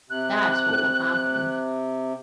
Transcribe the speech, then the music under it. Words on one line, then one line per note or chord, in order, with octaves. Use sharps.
That's what will happen.
C3 F#6